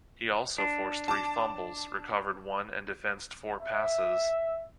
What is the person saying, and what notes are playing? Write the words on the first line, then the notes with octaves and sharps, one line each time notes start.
He also forced three fumbles, recovered one and defensed four passes.
D4
A5 D6
E5